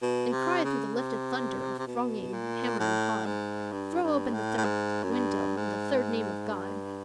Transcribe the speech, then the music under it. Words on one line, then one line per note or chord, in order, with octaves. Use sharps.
And cried through the lifted thunder Of thronging hammer and hod 'Throw open the third window In the third name of God.'
B2
C3
C#3
C3
C3
B2
A#2
A2
G#2
G2
G2
A2
A2
G#2
F#2
G2
G#2
G2